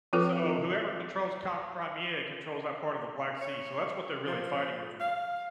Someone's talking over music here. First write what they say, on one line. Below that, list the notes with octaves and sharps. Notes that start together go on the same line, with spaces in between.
So whoever controls Cri Crimea controls that part of the Black Sea. So that's what they're really fighting over.
F3 C4 F4 A4 B4
C#5
F3
F5